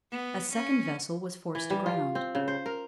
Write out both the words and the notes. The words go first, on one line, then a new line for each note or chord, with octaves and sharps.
A second vessel was forced aground.
B3
C#4
E3
G3
F4
C4
C#3
C5
A#4